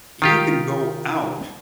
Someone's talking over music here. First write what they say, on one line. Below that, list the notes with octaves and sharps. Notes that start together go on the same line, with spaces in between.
You can go out
D#3 F4 G4